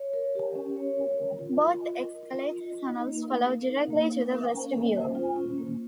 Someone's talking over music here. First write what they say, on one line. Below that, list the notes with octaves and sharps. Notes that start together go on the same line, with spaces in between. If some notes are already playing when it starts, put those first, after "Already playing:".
Both escalator tunnels follow directly to the vestibule.
Already playing: C#5
A#4
G4
C#4
C#5
A#4
A#4
F4
F4
D#5
A#4
F4
F4
D#5
D#4
A#3
F5
A#4
D#4
A#3
F5
A#4
C#4
A#3
C5
F4
C#4
A#3